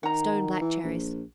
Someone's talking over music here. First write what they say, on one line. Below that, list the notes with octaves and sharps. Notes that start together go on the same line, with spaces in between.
Stone black cherries.
D#3 F#5 A#5
E3
A#1